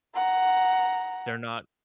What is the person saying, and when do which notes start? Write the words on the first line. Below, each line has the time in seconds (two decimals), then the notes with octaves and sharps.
They're not
0.15 F#5 A#5